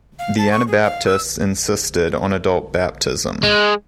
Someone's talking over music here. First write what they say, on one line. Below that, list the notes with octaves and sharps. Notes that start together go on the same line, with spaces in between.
The Anabaptists insisted on adult baptism.
F5
A5
C#6
G#4
F5
E6
G#3